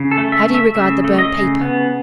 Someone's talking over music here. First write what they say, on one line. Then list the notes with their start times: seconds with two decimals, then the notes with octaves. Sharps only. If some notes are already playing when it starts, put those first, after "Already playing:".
How do you regard the burnt paper?
Already playing: C#3
0.11 A4
0.18 A3
0.32 E5
0.47 A3
0.54 E5
0.75 C#3 E5
1.04 A3
1.19 D#5
1.33 C#3
1.61 B3